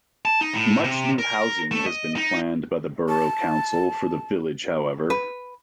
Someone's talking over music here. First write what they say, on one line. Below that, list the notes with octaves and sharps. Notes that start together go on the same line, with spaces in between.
Much new housing has been planned by the borough council for the village however.
A5
D#4
A2
C3
A#4
A3
D#5
D#4
A5
B4